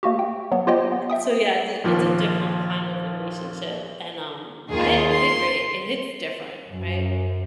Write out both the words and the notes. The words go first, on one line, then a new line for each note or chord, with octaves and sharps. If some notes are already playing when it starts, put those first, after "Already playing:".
So yeah, it's a it's a different kind of relationship and, um, I I agree. It hits different, right?
A3 A#3 F#4 G4
G5
F#3 B3
F4 G4 C5 C#5 D#5 G5
B3
E5 G5 D#6
A#1 D#2 F3 F4 D6
D#2 D#3 F4 G#4
C6
F#2